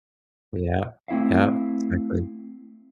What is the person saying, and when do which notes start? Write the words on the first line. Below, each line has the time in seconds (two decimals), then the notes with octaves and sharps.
Yeah, yeah, exactly.
1.08 A3 C4 E4 E5 F5